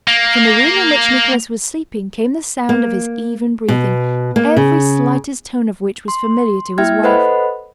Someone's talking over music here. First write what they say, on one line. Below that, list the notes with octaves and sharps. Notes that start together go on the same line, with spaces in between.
From the room in which Nicholas was sleeping came the sound of his even breathing, every slightest tone of which was familiar to his wife.
A#3
A#3
B2
A#3
C#3
C6
A#3 E4 E5 G5 F6 G#6
A4 B4 C5 D#5 F#5 B5